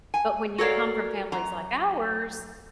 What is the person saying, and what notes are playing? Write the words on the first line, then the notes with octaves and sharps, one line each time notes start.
but when you come from families like ours
G#5
F#4 A4 A#4 C#5 D5 F5
F#2 A#5